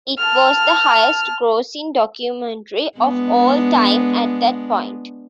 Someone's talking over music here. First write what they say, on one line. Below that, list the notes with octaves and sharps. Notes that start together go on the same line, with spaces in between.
It was the highest-grossing documentary of all time at that point.
A5 F6
G#3 B3 D4